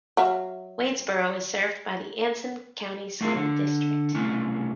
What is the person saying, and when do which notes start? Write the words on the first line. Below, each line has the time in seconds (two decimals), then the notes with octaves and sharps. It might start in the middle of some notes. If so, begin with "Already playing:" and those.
Wadesboro is served by the Anson County School District.
0.17 F#3 E5 F5
3.21 A3 A#3 F4 G#4 A#4
3.36 D3
4.15 C2 A3 C#4